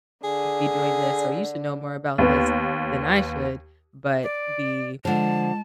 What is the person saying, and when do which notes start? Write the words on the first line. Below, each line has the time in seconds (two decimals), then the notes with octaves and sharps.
be doing this or you should know more about this than I should," but the
0.24 D3 G#4
2.18 D#2 B3
4.23 D5
5.05 D3 F3 G#3 A5